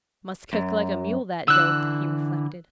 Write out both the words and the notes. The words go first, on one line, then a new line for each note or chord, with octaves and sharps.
"Must kick like a mule, that dope!" he reflected.
F#2
D3 E3 E6 F#6